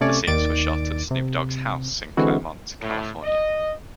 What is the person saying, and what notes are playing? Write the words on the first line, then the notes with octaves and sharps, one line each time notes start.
The scenes were shot at Snoop Dogg's house in Claremont, California.
C3 A3 C#4 C#5 D5
D#2 D#3 D5 A6 D7
C3
D3 E3 G#3 C4 E4 F#4
A2
D#5